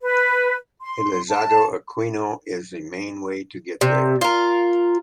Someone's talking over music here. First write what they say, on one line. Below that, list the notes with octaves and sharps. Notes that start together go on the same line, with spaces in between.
Elizardo Aquino is the main way to get there.
B4
C6
A5
C3
F4 A#4